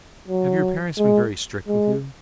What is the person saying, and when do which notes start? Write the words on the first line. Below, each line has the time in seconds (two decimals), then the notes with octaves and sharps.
"Have your parents been very strict with you?"
0.28 F#3
0.98 G#3
1.68 G#3